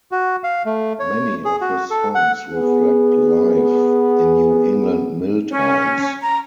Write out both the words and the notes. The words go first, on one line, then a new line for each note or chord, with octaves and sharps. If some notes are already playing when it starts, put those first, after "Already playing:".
Many of his songs reflect life in New England mill towns.
F#4
F5
A3
C#5
G#4
F#4
A4
F#5
B3 G#4
C#4
A#5